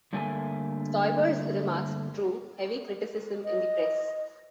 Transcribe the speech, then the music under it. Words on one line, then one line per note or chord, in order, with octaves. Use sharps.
Stoiber's remarks drew heavy criticism in the press.
G2 D3 A3 A#3 G#5
D#5